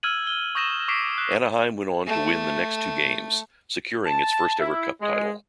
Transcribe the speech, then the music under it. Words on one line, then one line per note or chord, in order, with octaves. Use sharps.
Anaheim went on to win the next two games, securing its first-ever Cup title.
E6 F6 G#6 D#7 F#7
G7
C#6 D#6 G6 A#6 D#7 E7
C#6 D6 B6 C7 D7 E7
F#6
A3
A5
E4
G#3